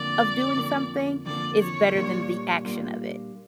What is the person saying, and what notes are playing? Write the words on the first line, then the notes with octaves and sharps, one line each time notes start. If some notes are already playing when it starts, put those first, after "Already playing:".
of doing something is better than the action of it.
Already playing: F2 D3 F3 A#3 D5
F2 D3 F3 A#3
F2 D3 F3 A#3 D5
C#5
A#2 G3 A#3 D4 F4
A#2 G3 A#3 D4 F4